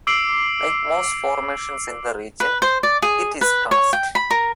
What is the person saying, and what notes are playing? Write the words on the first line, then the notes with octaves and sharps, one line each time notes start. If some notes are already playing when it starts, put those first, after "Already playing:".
Like most formations in the region, it is karst.
D6 E6 C7 D7 F#7
B4
C5
D5
G#4
B4
C#5
G5
B5
A#4